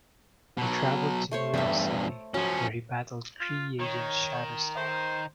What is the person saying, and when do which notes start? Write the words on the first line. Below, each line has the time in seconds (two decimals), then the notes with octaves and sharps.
He traveled to New York City, where he battled Kree agent Shatterstar.
0.58 B2 F#3
1.31 A3 C5 C#5
1.54 E2 G2 A4 E5
2.34 F3 F#3 C#4
3.40 F4
3.80 D#3 C#5
4.76 C5